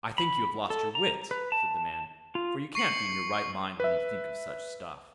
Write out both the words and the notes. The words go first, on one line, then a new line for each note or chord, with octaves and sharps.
'I think you've lost your wits', said the man, 'for you can't be in your right mind when you think of such stuff.'
B5
A4
A#5
B4
A5
F4
C#6 C7 C#7 F#7
B4 E5